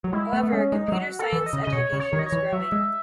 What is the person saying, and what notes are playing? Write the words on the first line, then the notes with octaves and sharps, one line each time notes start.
However, computer science education is growing.
F#3
G#3 E4
A3 B3
A3
G#3 C#4
G#3 D#4
G#3
F#3 F#4
A4
E3
D#5
C#3
C#3 D#5
B2 C#5
C#3
C#5
D#3
D#5
C#5
E3
F#3 E5
G#3